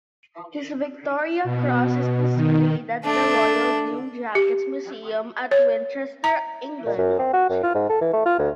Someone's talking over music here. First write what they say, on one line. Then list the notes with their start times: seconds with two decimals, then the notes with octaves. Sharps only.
His Victoria Cross is displayed at the Royal Green Jackets Museum at Winchester, England.
1.44 B2
2.34 D#3
3.04 A3 D4
4.35 G4
5.51 C#5
6.24 A#5
6.86 A#2
6.98 F#2
7.19 C4
7.33 F#4
7.50 F#2
7.63 F4
7.74 G#2
7.90 A4
8.01 E3
8.13 A3
8.25 F4
8.38 D2